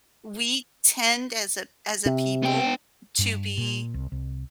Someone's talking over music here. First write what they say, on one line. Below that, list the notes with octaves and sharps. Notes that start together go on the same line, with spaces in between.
we tend as a as a people to be
C3
B3 G5
G2
A#2
C2
C2